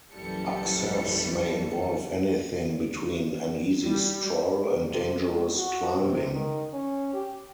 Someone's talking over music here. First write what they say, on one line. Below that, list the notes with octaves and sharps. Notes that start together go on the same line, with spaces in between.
Access may involve anything between an easy stroll and dangerous climbing.
A#1 F#2 E3 G3 A4 C#7
G3
C3
G#3
F#4
C3
D#3
C#4
G4